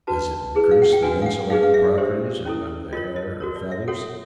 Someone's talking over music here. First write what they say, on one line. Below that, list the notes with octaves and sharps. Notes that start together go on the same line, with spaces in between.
Does it increase the insulating properties of the hair or feathers?
D4 F#4 B4 A5
E4 G#4 B4
F5
F#5
G5
D4 F#4 B4 G#5
F5
F#5
D#4 G#4 B4 F5
F5
E5
D4 G4 C5
C#4 E4 A4
F4 A#4 C#5 D#5
D#5
F#4 A#4 C#5
D5
E5
F#4 A4 C#5 F#5